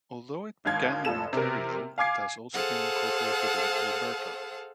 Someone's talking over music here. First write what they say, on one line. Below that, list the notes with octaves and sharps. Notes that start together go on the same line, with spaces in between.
Although it began in Ontario, it has also been incorporated in Alberta.
G#1 D#2 F5 G#6
F1 F4 A4 E7
C3 A#4
F5 G#5 D6 G#6 C7
G#4 A4 C5 F5 F#5 A5